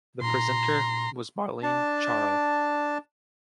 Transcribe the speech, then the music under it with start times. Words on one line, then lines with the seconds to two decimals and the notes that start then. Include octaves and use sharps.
The presenter was Marlene Charell.
0.21 A#2 A#5 C6
1.63 D4 A5